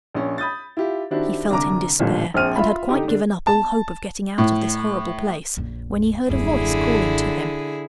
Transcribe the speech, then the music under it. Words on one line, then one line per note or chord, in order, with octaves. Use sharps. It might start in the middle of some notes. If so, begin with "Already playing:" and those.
He felt in despair, and had quite given up all hope of getting out of this horrible place, when he heard a voice calling to him.
A#1 C#4
B5 D#6 G6 A6
E4 F4 G4
D#3 C4 D4 E4 F#4 G4
C2 D3 A#5 D6
A1 A#2 D3 F3 G3
A#1 C4 G#4 F6 D#7
F4 E5 B5
D3 D#4 G4
D3 D4
A5
A2
A#1 F2
D#1 F#2 D3 E4 G#4